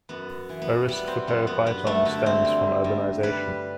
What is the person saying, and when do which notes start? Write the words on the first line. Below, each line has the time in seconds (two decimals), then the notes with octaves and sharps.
A risk for periphyton stems from urbanization.
0.09 F#2 B3
0.49 E3
0.62 B3
0.88 G3 B3
1.07 C4
1.27 F#2 B3
1.47 B3
1.66 G2 B3
1.87 A3
2.05 D3 B3
2.26 C4
2.45 G3
2.84 G2
3.23 G3 B4